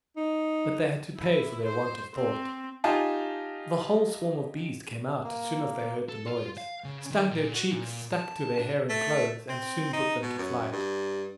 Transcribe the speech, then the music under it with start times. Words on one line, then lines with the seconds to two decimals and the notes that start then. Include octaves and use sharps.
But they had to pay for their want of thought; the whole swarm of bees came out as soon as they heard the noise, stung their cheeks, stuck to their hair and clothes, and soon put them to flight.
0.17 D#4
1.17 E4
1.65 C5
2.15 C4
2.84 D#4 F4 G4 G#5 A5
5.24 A#3
6.09 A4
6.26 F4
6.57 F5
6.84 C#3
7.11 D#3
7.31 A#2
7.55 F#4
7.72 A#2
8.12 A5
8.59 D4
8.89 A3
9.49 C4
9.93 D#4
10.22 B2
10.38 F#2
10.72 G2